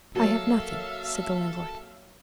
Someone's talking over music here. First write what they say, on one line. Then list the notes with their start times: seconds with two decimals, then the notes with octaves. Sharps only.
"I have nothing," said the landlord.
0.16 F#3 A#3 A4 E5 F5